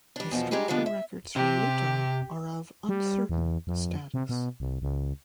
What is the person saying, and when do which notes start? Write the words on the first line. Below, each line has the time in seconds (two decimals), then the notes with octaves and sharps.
Historical records from Utah are of uncertain status.
0.16 G3 D4
0.31 E2 B2 F3
0.51 G3 G#3 D#4 G4 G#4
0.68 D3 F3 G3 G#3 B3 D4
0.86 E5
1.36 C3 G4
2.89 G3
3.29 E2
3.67 F2
4.14 C3
4.29 B2
4.60 C2
4.82 C#2